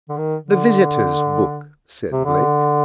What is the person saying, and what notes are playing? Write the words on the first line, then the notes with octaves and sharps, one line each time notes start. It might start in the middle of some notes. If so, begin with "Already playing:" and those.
"The visitors' book," said Blake.
D3
D#3
D3
C3
D3